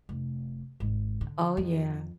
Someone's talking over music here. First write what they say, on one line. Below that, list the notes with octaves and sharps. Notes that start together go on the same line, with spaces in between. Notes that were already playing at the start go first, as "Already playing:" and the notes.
Oh, yeah.
F1
G#1
D3
F2